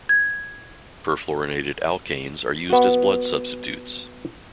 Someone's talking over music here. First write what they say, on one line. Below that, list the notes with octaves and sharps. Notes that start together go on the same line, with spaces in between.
Perfluorinated alkanes are used as blood substitutes.
G#6
B3 F#4